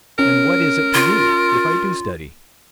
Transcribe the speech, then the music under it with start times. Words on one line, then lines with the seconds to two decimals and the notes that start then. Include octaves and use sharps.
"And what is it to you, if I do study?"
0.19 C#4 A#4
0.94 F4